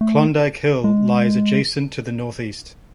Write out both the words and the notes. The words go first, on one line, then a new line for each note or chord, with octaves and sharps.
Klondike Hill lies adjacent to the northeast.
A3
G#3